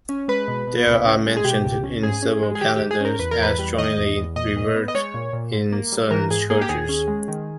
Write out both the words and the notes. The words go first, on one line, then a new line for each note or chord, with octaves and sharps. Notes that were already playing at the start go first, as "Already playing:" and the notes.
They are mentioned in several calendars as jointly revered in certain churches.
C#4
G#3 B4
B2
B2
C#2
C#4
G#3
G#4
B2 G4
C#2
C#4
G#2 G#4
C#4
G#3
G#4
D#3 G4
G4
G#2
G#4
C#4 A#4
E2 B4
A#4
E2 B4
G3
D#3 D#5
E2
E2
A#2 D#5
A#2
B3
D#5
G#3 C#5
A#2
A#2
G#2
A#3
G3
E3 A#4
G#2 G#4
A#3 G#4
G4
D#2 G#4
C#4
G#3
D#3